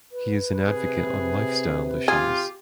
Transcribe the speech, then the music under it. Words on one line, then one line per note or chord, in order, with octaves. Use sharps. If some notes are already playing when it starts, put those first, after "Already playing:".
He is an advocate on lifestyle issues.
B4
C3 G#4
F4 G4 G#4